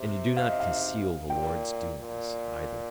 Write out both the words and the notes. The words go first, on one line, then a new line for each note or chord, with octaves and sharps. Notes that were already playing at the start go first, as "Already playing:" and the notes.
And you do not conceal the Lord's doings, either.
Already playing: C3
F5
D#5
F5
A#2 G5
A#2